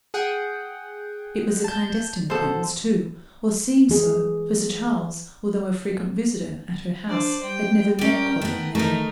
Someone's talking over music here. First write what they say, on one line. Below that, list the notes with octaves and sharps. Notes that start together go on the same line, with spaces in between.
It was a clandestine acquaintance too, or seemed so, for Sir Charles, although a frequent visitor at her house, had never met Quadling there.
G#4 F#5 G5
A5 G6
B2 A4 C5
E3 G#4
D4 C5 D5
G3 G5
C#4 A#4 D5 G5
A3 B3
D#3 A3 D#4 A#4